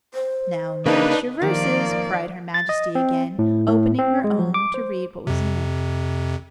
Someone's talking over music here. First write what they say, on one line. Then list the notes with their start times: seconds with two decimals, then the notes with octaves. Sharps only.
"Now match your verses," cried her Majesty again, opening her own to read what was in it.
0.14 C5
0.86 C#3 A#3 D4 D#4 B4
1.42 D#3 F3 A#3 D5
2.54 A6
2.69 D#5
2.95 C4
3.39 A2
3.68 A2
3.98 C4
4.24 G#3
4.39 F3
4.54 D6
4.74 C5
5.27 F2 C3